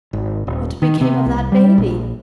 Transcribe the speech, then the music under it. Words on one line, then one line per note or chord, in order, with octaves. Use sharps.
What became of that baby?
G#1
D#1
D#3
C3
C2
G3
A#1